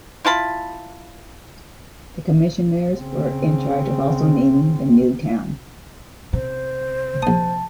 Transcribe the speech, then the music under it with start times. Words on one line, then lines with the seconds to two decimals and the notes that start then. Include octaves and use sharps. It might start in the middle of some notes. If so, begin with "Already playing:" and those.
The commissioners were in charge of also naming the new town.
0.25 E4 F4 A5 B5
2.99 C#3 C4
6.33 C3 C5
7.23 A#1 A5 D#6